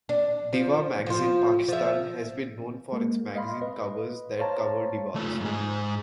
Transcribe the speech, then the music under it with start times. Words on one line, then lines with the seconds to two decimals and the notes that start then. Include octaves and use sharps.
Diva Magazine Pakistan has been known for its magazine covers that cover divas.
0.09 D4
0.53 F3
1.06 F3 F4
1.68 F3 E5
2.92 G#3 A#3
3.35 D#5 F5 B5 C6
3.62 B4 D#5
4.39 C5 C#5 F5 A5 A#5
5.16 A3 F4
5.41 G#2 G#4